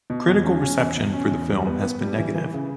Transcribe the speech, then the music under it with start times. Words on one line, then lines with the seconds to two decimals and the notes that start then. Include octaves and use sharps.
Critical reception for the film has been negative.
0.10 B2
0.27 E2
0.44 C#4
0.62 C#4
0.79 E2
0.97 B2
1.14 C#4
1.31 E2
1.49 G3
1.67 B3
1.83 B3
2.01 G3
2.18 E3
2.35 E3
2.53 C#3